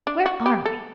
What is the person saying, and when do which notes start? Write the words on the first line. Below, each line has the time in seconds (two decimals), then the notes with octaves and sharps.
Where are we?
0.07 D4
0.26 F#4
0.46 G4
0.66 A4